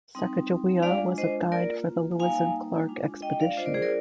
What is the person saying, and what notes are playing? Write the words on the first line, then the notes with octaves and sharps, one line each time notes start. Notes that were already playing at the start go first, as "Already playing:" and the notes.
Sacagawea was a guide for the Lewis and Clark Expedition.
G3 C4 D#4
G#3 D4 F4 D5 F5
C5 D#5
A#3 F4 A#4 D5
G3 A#3 D#4 F5 G#5
G#3 D4 F4
D#5 G5
D5 F5
G3 D4 F4 C5 D#5
A#4 D5
G#4 C5
A#4 D5